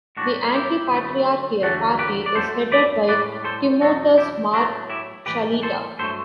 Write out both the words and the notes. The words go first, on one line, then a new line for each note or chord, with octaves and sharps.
The anti-patriarchal party is headed by Timothaus Mar Shallita.
A2 G3 D4 F#4
E4 G4
F#2 D3 F#3 A3
E2 D3 F#3 A3 F#4 A4
G4 B4
D5
F#2 F#3 A3 A4 C5
B4 D5
A2 G3 B4 D5
A4 C5
E2 B2 F#3 A3 F#4 A4
E4 G4
A2 F#3 A3 D4 F#4
E4 G4
A2 E3 G3 G4 B4
A4 C5
G2 F#3 A3 A4 C5